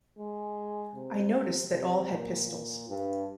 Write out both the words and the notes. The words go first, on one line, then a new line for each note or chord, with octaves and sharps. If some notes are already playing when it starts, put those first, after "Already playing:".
I noticed that all had pistols.
G#3
C3
C3
A#2
A#2
G2